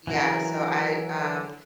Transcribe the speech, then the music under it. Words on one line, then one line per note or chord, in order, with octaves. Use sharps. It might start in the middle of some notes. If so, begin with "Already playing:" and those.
yeah, so I, um,
E3 F#3 E4 A#4